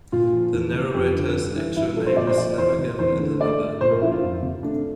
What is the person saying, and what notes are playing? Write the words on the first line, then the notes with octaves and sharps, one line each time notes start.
The narrator's actual name is never given in the novel.
A#2 F4
F3
E2
C3
F2 G4
D3
G2 D4
E3
G2 E4
F3 A4
C5
A#2 D5
C5
F3 D5
E2 C5
C3
E2 C5
D3
A3 D5
A3
A#2 C5
A#4
F3 E4
F4
F2
C3
A3 D4